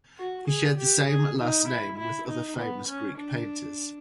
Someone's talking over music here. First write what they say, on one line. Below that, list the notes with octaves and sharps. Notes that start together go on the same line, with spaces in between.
He shared the same last name with other famous Greek painters.
F#4
G#4
G4
G#4
D#4
E4
E4
D#4
B3
C#4
D4